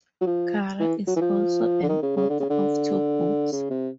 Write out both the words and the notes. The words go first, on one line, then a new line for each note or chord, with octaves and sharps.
Cara is also an author of two books.
F#3
F3
E3
F#3
E3
F3
D3
D#3
C#3
C#3
D3
C#3
D3
C#3
C3